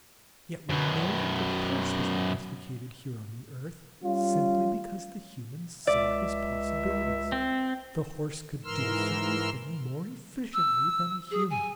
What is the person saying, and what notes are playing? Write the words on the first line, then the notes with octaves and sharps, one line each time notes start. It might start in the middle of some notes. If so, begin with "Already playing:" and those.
And yet we know that the horse was domesticated, here on the earth, simply because the humans saw his possibilities; the horse could do a certain thing more efficiently than a human.
F#2 B2
G3 C#4 F4
C#2 D5 E5
C4
G#2 E3 A#4 C6 E6 F6
E6
G#4
G#5